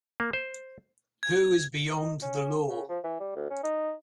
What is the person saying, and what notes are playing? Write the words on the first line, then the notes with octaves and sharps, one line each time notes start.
Who is beyond the law?
A#3
C5
G#6
D#4
C#4
C#3
F3
E3
G3
D2
C#4
D#4